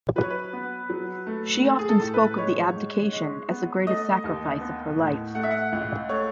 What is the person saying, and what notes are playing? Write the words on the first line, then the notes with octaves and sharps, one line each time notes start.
She often spoke of the abdication as the greatest sacrifice of her life.
F#3 B4
C#5
B4
B3
F#3
A3
A3
G#4
A4
A2
B4
G#3 C#5
G#2
G#3
B3
A3 D#5
D#2
B3
A2
A3 F#5
E5
F#5
C#2
A3 C#5